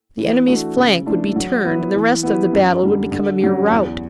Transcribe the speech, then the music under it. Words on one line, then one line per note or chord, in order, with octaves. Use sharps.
The enemy's flank would be turned, and the rest of the battle would become a mere rout.
E3
A3 D4 F#4
C#3
E3 A3 D4 A4
F#3
B3 E4
E3
B3 E4 G4
F#2
D3 G3
D3
F#3 C#4 G4
E2